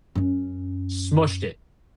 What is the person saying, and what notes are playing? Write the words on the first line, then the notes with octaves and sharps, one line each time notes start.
smooshed it,
F#2 C#4